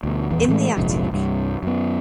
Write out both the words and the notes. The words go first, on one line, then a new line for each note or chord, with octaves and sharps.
In the attic.
D2 B2
D#1 E2 E3
A2 E3 G#3 A3
F1 A#1 G#2 C3
C2 G2
F#2 B3